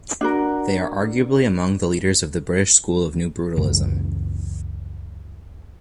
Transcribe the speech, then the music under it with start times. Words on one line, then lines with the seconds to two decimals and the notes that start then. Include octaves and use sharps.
They are arguably among the leaders of the British school of New Brutalism.
0.21 D4 F#4 A#4
3.57 C#2 F#2 C#3 E3